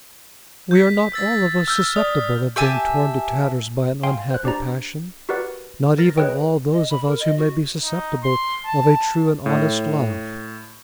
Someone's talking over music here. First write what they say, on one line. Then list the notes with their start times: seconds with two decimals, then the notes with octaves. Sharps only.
We are not all of us susceptible of being torn to tatters by an unhappy passion; not even all those of us who may be susceptible of a true and honest love.
0.71 G6 B6
1.13 E6 A6 B6
1.68 E6 F6 G6
1.96 D5 D#6
2.56 G4 E5 G#5 A5
4.03 F5 G5 G#5 C6 C7
4.30 C5 F#6
4.44 D4 G4 C5 D5 A#5
5.29 F#4 G4 A#4 B4 D5 F#5
5.98 A#4 A6 A#6
6.18 G#4 B4 C#5 D#5 G5
6.73 D#5
6.90 B5
7.07 A#4
7.20 D#5
7.37 F#4
7.83 D#4
8.24 C6
8.65 A5
9.46 A2